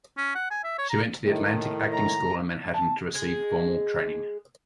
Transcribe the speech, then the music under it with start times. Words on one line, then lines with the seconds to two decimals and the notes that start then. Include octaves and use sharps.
She went to the Atlantic Acting School in Manhattan to receive formal training.
0.17 C#4
0.35 F#5
0.50 G#5
0.63 E5
0.78 C#5
0.89 A#5
1.26 A2 D#3
1.93 A#5
2.74 A5
3.15 G#3 G#4